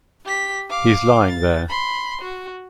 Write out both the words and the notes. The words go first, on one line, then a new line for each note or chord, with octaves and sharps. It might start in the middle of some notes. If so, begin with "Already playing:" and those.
He's lying there.
G4 B6
F5 D6
A6
B5 C6
F#4